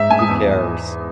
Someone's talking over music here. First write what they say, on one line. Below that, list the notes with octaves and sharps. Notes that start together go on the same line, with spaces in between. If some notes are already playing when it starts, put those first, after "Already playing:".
Who cares?
Already playing: G#2 E5
G#2 G#5
D#6
E2